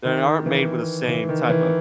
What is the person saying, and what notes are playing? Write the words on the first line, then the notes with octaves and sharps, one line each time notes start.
They aren't made with the same type of,
D#3
E3
E3
D#3
E3